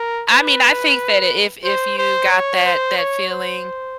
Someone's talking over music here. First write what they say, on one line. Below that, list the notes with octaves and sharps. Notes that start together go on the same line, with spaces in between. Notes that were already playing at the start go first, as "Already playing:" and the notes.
I mean, I think that if if you got that that feeling,
Already playing: A#4
B4
C5
C5
C#5
C5
C#5
C5